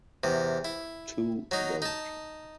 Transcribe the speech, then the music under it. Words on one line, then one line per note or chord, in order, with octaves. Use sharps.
Two don’t.
E2 C3
E4
F#3 D#4
D#4 A5